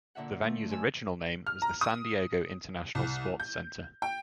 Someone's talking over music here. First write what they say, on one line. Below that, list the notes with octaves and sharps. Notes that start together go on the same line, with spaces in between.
The venue's original name was the San Diego International Sports Center.
A#2 D3 E5 F#5
F3 A3
F3 G#5 E6
F6
A#5
D#6
C2
G6
G5